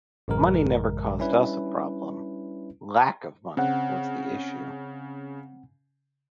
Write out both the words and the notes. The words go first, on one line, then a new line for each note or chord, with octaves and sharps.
Money never caused us a problem, lack of money was the issue.
A1 F#2 C#3 G#3 A#4
G3 C#4 D4 E4 B4
C#3 C4 F#5